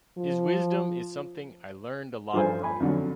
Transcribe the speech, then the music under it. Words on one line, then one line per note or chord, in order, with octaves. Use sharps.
His wisdom is something I learned a lot from.
F3
G2 F3 A4 C5 G#5
G#5 B5
F2 D3 F#3